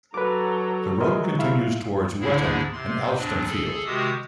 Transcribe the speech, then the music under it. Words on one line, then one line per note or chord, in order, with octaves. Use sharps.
The road continues towards Wetton and Alstonefield.
F#3 A4 B4 A#5 D6
F#3 G#3 A#4 D#5 E5
E4 E5 F5
D2 G#2 D3 D4 E4 G#4
C3 C6
D#2 A#2 D4
G#4 A4
C3 D#3 G#3 F#4 G4 D#6